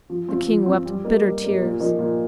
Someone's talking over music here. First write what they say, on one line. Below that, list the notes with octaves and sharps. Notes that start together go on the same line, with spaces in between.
The King wept bitter tears.
F3
C4 F4
F3
C4 F4
G3
A#3 D#4 G4
G3
A#3 D#4 G4
A#2
F3 A#3 D#4
A#2